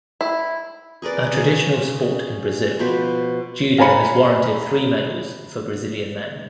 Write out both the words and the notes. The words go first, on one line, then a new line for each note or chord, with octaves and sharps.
A traditional sport in Brazil, Judo has warranted three medals, for Brazilian men.
E4
G#4 A#4 B4 D5
C#3
B2 F3 C5 B5
F5 G#5 A#5 B5 C#7